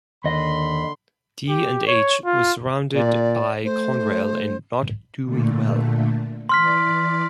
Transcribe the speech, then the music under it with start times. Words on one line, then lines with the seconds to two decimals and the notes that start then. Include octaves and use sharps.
D and H was surrounded by Conrail and not doing well.
0.24 D#2 D3 D#5 B5 C6
1.49 G4
1.87 C#5
2.25 F4
2.94 A#2 D5
3.65 A3 C5
5.23 A#2 D3 A3
6.49 E3 D5 C6 F6 B6